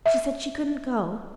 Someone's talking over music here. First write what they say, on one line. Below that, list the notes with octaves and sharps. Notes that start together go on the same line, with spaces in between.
She said she couldn't go.
E5